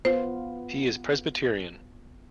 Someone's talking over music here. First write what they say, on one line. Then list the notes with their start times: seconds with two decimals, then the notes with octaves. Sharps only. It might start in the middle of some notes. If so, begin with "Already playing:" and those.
He is Presbyterian.
0.05 B3 F4 C5